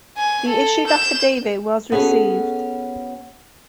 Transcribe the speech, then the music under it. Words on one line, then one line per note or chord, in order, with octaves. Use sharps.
The issued affidavit was received.
G#5
A4
G6 E7
B3 C#4 F#4 G#4 A4